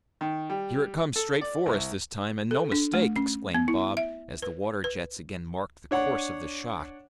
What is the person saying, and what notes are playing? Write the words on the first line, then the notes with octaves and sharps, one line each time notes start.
"Here it comes straight for us this time, and no mistake," exclaimed Bob, as the water-jets again marked the course of the shot.
D#3
G3
A4
D5
C2
A4
D4
A3
C#4
B3
E4
E5
B4
B4
D4 C#5 F#5